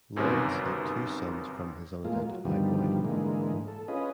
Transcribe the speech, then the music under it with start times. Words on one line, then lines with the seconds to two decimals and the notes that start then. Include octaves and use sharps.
Lawrence had two sons from his unidentified wife.
0.16 G1 F#2 C3 D#3 A#4 B4
2.05 A2 G#3 A#3 F4
2.28 F#3
2.45 G2 B2 D3 D#3 F3 G3
3.05 G#2 D3 E3 G#3 A#3
3.68 A4
3.88 C#4 F4 G#4 B4 D#5